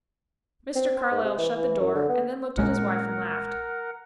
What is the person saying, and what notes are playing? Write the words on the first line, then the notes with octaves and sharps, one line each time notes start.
Mr. Carlyle shut the door, and then looked at his wife and laughed.
C4
C5
G#2
C3
E3
E3
F#2
D3
B3
A#1 G#3 C#4 A#4 F#5